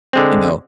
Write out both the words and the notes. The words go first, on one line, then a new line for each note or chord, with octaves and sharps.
you know,
D3 G#3 C4